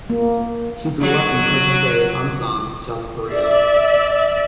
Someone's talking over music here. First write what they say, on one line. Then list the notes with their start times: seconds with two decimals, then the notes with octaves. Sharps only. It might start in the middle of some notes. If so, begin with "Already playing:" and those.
He grew up in present-day Ansan, South Korea.
0.10 A#3
1.01 F#3 F#4
3.31 D5 E5